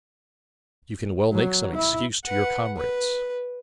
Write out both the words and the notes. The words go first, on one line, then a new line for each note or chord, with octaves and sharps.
You can well make some excuse to your comrades.
F#3
E4
B4 F#5
B4